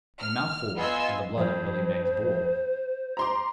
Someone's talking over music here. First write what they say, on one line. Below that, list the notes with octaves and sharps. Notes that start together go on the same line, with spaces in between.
"A mouthful of the blood of Billy Beg's bull."
F6
B3 F4 D#5 G#5 C6 E6
F2 C5
A#5 C6 D6